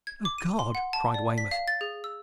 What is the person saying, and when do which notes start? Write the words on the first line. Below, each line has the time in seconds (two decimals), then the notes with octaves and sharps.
"Oh, God!" cried Weymouth.
0.07 G#6
0.25 D6
0.38 D#7
0.59 C6
0.75 F#5
0.93 A5
1.14 D5
1.38 B6
1.51 F5
1.68 A6
1.81 G#4
2.04 E6